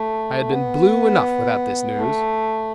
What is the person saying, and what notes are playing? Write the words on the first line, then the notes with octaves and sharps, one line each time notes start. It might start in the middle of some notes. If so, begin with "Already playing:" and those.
I had been blue enough without this news.
Already playing: A3
B3
A3